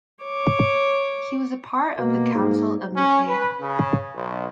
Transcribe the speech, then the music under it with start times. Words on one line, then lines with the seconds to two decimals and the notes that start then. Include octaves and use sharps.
He was a part of the Council of Nicaea.
0.24 C#5 D6
1.99 B2 A#3
2.35 G#2
2.96 C#4
3.29 B4
3.60 C#3
4.15 B1